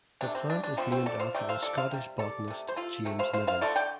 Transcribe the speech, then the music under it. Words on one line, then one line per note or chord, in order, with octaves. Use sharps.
The plant is named after the Scottish botanist James Niven.
C3 A3 D4
C4
D4
D4
D3 F3 A3 C4
C4
A4 D5
C5 F5
C3 A3 D5 G5
C5 F5
A4 D5
C5 F5
C3 G3
A4 D5
C3 A3
C5
F4 A4
C3 A3
C5 F5
C5 F5
C5 F5
D3 A3 A4 D5
D5 G5